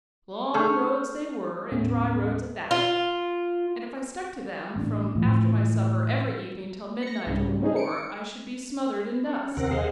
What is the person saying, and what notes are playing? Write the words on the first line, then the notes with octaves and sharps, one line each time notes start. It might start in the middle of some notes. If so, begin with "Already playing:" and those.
"Long roads they were, and dry roads at that, and if I stuck to them from after my supper every evening till midnight or more I should be smothered in dust."
A3 G#4 A4 C#6 F6 G6
D#2 A2 B3 C#4
F4
A1 D4
A2 E3 F3
A#6 C#7
C2 G#2 C#3 G3
C#4 D#4 G#4
C#7 D7
C#4
D#2 C3 C4 A#4 F#5
G#4 C5 D#5 F5 F#5